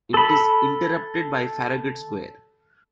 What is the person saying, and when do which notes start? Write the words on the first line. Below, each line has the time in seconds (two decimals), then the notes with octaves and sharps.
It is interrupted by Farragut Square.
0.14 A4 B5